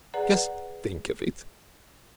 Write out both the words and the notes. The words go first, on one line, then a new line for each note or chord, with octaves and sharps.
Just think of it!
G#4 B4 D5 F#5 A#5